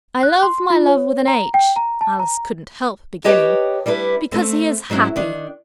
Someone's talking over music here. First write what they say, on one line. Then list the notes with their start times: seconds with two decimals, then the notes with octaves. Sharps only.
'I love my love with an H,' Alice couldn't help beginning, 'because he is Happy.
0.23 F#6
0.43 C6
0.70 F4
0.88 C#5
1.28 A#5
1.54 G5
1.76 A#5
2.01 A5
2.19 A#5
3.24 G4 B4 C#5 D#5 G5 A5
3.86 G3 D4 E4 B4
4.32 A3 C4
4.90 G#2 F#3 C#4 E4
5.16 D#3 D4